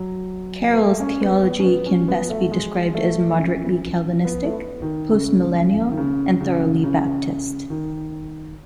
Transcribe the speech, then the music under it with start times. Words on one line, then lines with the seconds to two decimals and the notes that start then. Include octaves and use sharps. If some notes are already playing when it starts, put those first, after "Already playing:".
Carroll's theology can best be described as moderately Calvinistic, postmillennial, and thoroughly Baptist.
Already playing: F#3
0.74 B3
0.78 A3
1.00 C#4
1.22 B3
1.43 B3
1.59 C#4
1.65 B3
1.86 C#4
2.08 B3
2.30 A3
2.51 G#3
2.95 A3
3.38 C#4
4.25 B3
4.45 A3
4.53 B3
4.82 D#3
5.11 C#3
5.91 D#3
5.97 C#3
6.40 C#3
6.84 C#3
7.70 D#3